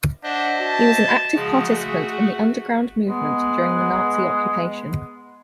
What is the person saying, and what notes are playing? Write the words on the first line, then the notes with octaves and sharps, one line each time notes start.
He was an active participant in the Underground Movement during the Nazi occupation.
D4 C5 D#5 E5 F#5
F#4 A5
C#3 F3 G#3 F#4 G#4
A3
G#3 B3